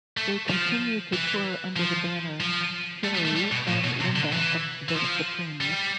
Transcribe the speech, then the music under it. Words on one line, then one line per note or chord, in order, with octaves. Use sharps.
They continue to tour under the banner Scherrie and Lynda of The Supremes.
A3
F3
E3
F3
F3
A3
G3
A3
G3
B2
A2
B2
C3
D3
E3
E3
F3
G3